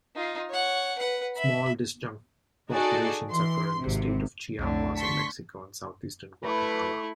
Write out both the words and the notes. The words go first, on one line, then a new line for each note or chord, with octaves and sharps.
Small disjunct populations occur in the state of Chiapas in Mexico and southeastern Guatemala.
D#4 F4
C#5 F#5
B4 F#5
E5 B5
D#4 F#4 G#4 A4 D5
E3 C6
G#1 C3
B1 F2 A2 D3
A5 C6 C#6 B6
A3 E4 B4